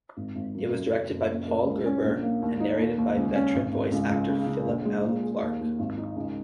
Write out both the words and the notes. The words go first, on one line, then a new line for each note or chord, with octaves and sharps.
It was directed by Paul Gerber and narrated by veteran voice-actor Philip L. Clarke.
G#1
G#1
F#2
F#2
F#1
F#1
A#2
A#4
C#2
C#4
A#1
A#3
D#2
D#4
D#2
D#2
C#2
C#4
G#1
G#1
C#2
C#2
C#3
C#3
A#1
G#3
A#2
G#4
D#2
D#2
G#1
D#4
C#2